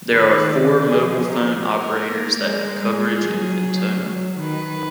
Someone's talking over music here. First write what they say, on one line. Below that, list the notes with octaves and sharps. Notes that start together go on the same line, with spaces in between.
There are four mobile phone operators that have coverage in Fintona.
D#3 B4
D5
F3 G#4
A#4
A#4
A#3
G#3
G#4
F#3
F#3
D#3 B4